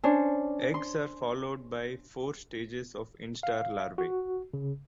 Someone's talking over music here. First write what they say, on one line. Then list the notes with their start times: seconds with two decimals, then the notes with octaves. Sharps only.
Eggs are followed by four stages of instar larvae.
0.03 C#4 D4 C5
0.74 C6
3.43 F5
3.98 F#4
4.54 C#3